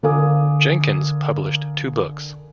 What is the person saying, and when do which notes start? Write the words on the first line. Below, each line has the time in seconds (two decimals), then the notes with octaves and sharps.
Jenkings published two books.
0.03 D3 A#4 F5 G#5 D6 D#6